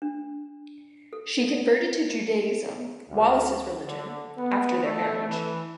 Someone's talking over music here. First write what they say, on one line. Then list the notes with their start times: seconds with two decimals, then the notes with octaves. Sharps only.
She converted to Judaism, Wallis's religion, after their marriage.
0.02 D4
1.13 A4
3.09 D2
3.85 D3
4.38 B3
4.84 A3
5.28 E3